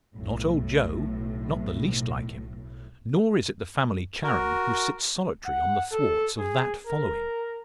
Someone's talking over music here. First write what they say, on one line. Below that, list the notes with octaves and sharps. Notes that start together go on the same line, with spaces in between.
Not old Joe, not the least like him. Nor is it the family Charon who sits solitary on the thwarts of that following.
B1 A2
F#4 A#4
F#5
A4
G#4
A#4